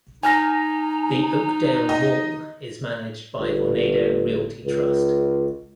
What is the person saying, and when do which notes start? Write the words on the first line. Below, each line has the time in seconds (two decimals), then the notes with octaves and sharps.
The Oakdale Mall is managed by Vornado Realty Trust.
0.23 D#4 G#5 A#5 F6 A#6
1.89 D#5
3.39 G1
4.64 C#2